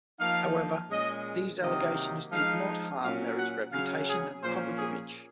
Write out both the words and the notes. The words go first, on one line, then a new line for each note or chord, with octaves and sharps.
However, these allegations did not harm Meri's reputation and public image.
F3 A#3 D#4 F5
A#2 G#3 C#4 D#5
C3 D#3 F#3 A#3 D#4 D#5
F3 G#3 D#4 F5
A#2 F#3 C#4 F5
F#5
C#3 F#3 C#4 F5
G#4
A#2 F3 A#3 C#4 C5
G#4